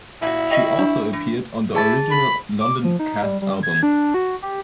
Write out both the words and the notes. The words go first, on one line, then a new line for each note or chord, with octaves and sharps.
She also appeared on the Original London Cast album.
A#2 E4 F#4
F#4 D#5 E5 G5
D4
E3
E4 G#4 A5 A6
B5
D6
F3
D#4
G3
G3
G#6
D4
F#4
G4